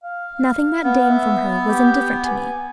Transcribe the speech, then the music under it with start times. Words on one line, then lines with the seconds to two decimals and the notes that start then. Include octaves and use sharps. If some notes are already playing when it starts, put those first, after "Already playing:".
Nothing that dame from her was indifferent to me.
0.04 F5
0.83 B3
1.09 E5
1.66 G4
2.25 G#5